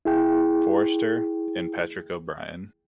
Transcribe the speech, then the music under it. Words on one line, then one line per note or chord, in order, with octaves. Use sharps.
Forester, and Patrick O'Brian.
E4 G#4 G5